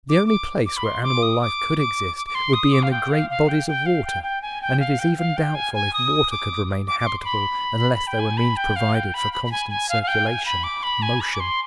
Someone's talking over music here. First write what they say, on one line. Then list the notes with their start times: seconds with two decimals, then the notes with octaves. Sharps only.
The only place where animal life could exist would be in the great bodies of water, and it is even doubtful if water could remain habitable unless there were means provided for constant circulation--motion.
0.09 D6
0.27 D6
0.66 D6
0.77 B5
0.84 C6
1.03 D6
1.23 D#6
1.41 D6
1.79 D6
2.17 D6
2.27 D6
2.35 C6
2.53 D#6
2.72 D6
2.83 F5
2.91 G5
3.11 F5
3.30 F5
3.49 G5
3.67 G5
3.86 F5
4.05 G5
4.23 G5
4.42 G#5
4.62 G5
4.80 F5
4.99 G5
5.18 F5
5.37 G5
5.55 G#5
5.74 G#5
5.93 D#6
6.31 D6
6.88 D6
7.00 D6
7.07 C6
7.20 C6
7.25 B5
8.07 G5
8.19 G#5
8.37 B5
8.56 G5
8.76 F5
8.95 G5
9.14 B5
9.33 B5
9.45 B5
9.52 G#5
9.70 G#5
9.89 F5
10.03 F5
10.08 G5
10.26 G#5
10.46 B5
10.64 D6
10.83 B5
11.02 G#5
11.20 B5
11.33 D6
11.40 C6